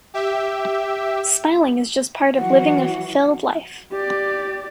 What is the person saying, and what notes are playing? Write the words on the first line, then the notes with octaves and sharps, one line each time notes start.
Smiling is just part of living a fulfilled life.
G4 E5
E3 F#3 F#4 F#5
G4 D5